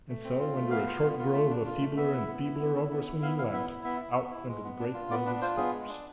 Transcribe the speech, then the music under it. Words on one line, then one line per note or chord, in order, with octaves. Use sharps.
And so, under a short grove of feebler and feebler over-swinging lamps, out under the great grove of stars.
A3
C4
F4
A3
B3 F5
F4
B3
F4
A3
D4
F4
A3
B3 E5
E4
B3
E4
B3
E4
B3
E4
B3 F5
E4 F5
B3 E5
E4
B3 E5
E4
B3
E4
G#3
B3
D4
F4
B3 D5
D4 B4
F4 C5
B3 G#4
G#3
D4